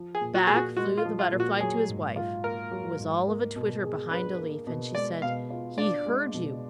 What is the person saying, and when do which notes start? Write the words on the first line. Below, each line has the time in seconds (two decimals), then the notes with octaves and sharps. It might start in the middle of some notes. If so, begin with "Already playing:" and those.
Back flew the Butterfly to his wife, who was all of a twitter behind a leaf, and she said, 'He heard you!
Already playing: F3
0.15 G#4
0.21 A#2
0.35 F#4
0.47 A#2 G#4
0.56 F#4
0.77 G#3 F#4
0.97 F4
1.05 F3
1.19 F4
1.32 A#2
1.40 F#4
1.60 F#3 G#4
1.89 G#2
2.16 F4
2.44 A#3 A#4
2.71 F#3
2.99 G#2
3.28 A#3
3.56 B2
3.83 G#4
4.11 D4 B4
4.38 A#3
4.67 B2
4.94 G#3 D5
5.22 B2 F5
5.50 F4
5.78 D4 D5
6.06 G#3
6.34 B2